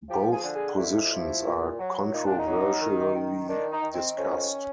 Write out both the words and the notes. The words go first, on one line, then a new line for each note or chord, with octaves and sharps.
Both positions are controversially discussed.
F3 G4
G#4
D3
G#4
F2 E4
F3
A#2
F#3
A#2 D#4
D4
D#4
F#3
D#3
D#3
D#3 D4
D#4
D#3
C4
F2 C#4